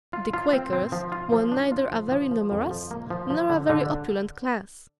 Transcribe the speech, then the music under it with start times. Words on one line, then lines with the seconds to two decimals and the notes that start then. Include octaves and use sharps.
The Quakers were neither a very numerous nor a very opulent class.
0.13 F4
0.33 F4
0.53 C4
0.73 C4
0.92 F3
1.12 F4
1.32 F3
1.52 D4
1.72 F4
1.91 F3
2.12 F3
2.31 F3
2.52 F2
2.71 F3
2.91 A#3
3.10 F3
3.30 F3
3.50 D3
3.70 D3